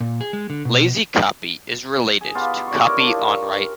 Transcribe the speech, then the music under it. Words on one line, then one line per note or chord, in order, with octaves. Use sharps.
Lazy copy is related to copy-on-write.
A#2
G#4
G#3
D3
B2
G#4
B3 D#4 F4 G4
D5 C#6
E4 A#4 C#5
D4 F4 G4 D#5
C#6